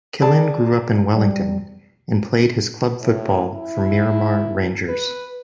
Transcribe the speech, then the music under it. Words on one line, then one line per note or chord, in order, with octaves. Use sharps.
Killen grew up in Wellington and played his club football for Miramar Rangers.
G#4 D5 A5
G3
A2
E4
B4